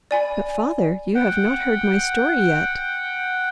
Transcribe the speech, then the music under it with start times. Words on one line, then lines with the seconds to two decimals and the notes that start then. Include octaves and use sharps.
"But, father, you have not heard my story yet."
0.11 D5 G#5 B5
1.15 F#5 G5